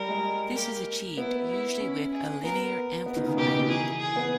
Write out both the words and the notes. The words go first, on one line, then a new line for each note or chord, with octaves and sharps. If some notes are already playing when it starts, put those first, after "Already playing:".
This is achieved, usually, with a linear amplifier.
Already playing: G3 A#4
G#3
A#3 G4
B3 E4
E4
C#4
G#4
B3 A#4
B3
D#3
C#3
B2 G4
B2
D#3
E3 G#4
G#4
B3